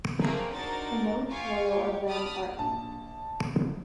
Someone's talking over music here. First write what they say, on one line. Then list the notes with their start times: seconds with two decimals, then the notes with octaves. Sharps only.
The most royal of them are angels.
0.18 A3 A#3 C4 G#4 A#4
0.53 D4 D#4 F#4 A#4 C5 A6
1.30 F4 G4 F5 G#5 C#6
1.68 G4 C#5
2.07 D5 A5 B5 D#6 F6 A6
2.59 A#1 A5